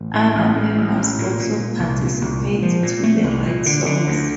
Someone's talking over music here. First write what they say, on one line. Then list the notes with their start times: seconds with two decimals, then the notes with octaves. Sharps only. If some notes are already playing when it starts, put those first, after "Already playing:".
Other members also participate to write songs.
Already playing: A1
0.14 A2
0.35 A1
0.56 A2
0.77 A1
0.97 A1
1.18 A#2
1.39 A#2
1.59 A#2
1.79 C2
2.01 A#2
2.21 C2
2.42 A#2
2.62 F3
2.83 A#2
3.03 A3
3.24 C2
3.45 A#2
3.66 D3
3.86 D3
4.07 D2